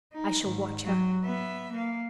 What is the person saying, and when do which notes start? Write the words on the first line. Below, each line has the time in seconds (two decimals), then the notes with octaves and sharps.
I shall watch her.
0.13 D#4
0.43 G#2 D#3
0.85 F#3
1.24 B3 E5
1.72 A#3 F5